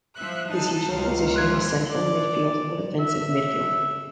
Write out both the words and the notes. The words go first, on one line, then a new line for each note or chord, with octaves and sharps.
His usual position was central midfield or defensive midfield.
F3 E5 F#6
D#4 G#4 A5
C#2 C3 A#4 F5
E3 F3 F4 C6 F#6 G#6
D5
E5